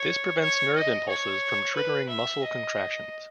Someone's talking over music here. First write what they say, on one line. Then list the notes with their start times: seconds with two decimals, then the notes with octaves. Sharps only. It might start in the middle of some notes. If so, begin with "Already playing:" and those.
This prevents nerve impulses from triggering muscle contractions.
Already playing: C#5
0.41 C#5
0.75 D#5
1.09 C#5
1.76 B4
2.09 E5
2.43 D#5